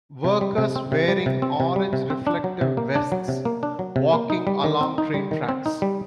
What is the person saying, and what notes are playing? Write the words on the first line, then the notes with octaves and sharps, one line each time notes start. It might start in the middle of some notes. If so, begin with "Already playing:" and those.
Workers wearing orange reflective vests walking along train tracks.
C3
G3
C3
C4
C3
G3
C3
C4
C3
G3
C3
C4
D4
F#3
C3
A#3
D4
F#3
C3
A#3
D4
F#3
C3
A#3
D#4
G3
D#3
C4
D#4
G3
D#3
C4
D#4
G3